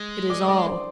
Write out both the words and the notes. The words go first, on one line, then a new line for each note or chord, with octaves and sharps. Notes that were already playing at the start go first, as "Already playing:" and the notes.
It is all.
Already playing: G#3
D5 D6
D#6
D5 D6
C5 C6